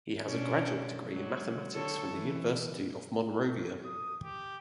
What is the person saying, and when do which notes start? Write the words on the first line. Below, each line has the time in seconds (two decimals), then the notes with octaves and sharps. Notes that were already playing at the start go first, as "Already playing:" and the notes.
He has a graduate degree in Mathematics from the University of Monrovia.
0.24 B2 C#4 D4
1.09 F#3 G#3
1.73 D3 A4 C#5
2.10 E3
3.84 D#6
4.22 G4